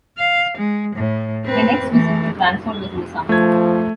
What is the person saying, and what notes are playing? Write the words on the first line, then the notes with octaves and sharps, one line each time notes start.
My next visit to Cranford was in the summer.
F5
G#3
A2
C4 B4
E3 A3
F3 A3 G#6